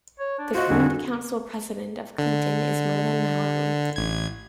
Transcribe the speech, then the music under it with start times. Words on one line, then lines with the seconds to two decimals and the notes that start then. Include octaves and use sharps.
The current council president of Clinton is Merlin Mowery.
0.20 C#5
0.39 D4
0.54 F4 F#4 C5 D#5
0.70 F2 D3 G3 G#4
2.18 D3
3.96 A1 G#6